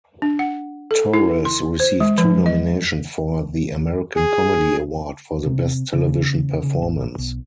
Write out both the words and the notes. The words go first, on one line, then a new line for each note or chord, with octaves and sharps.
Torres received two nominations for the American Comedy Award for the Best Television Performance.
D4
F#5
A4
E4
C6
C5
G#3
F3
D#5
G#4
C3
C#3
C#3
A1
B1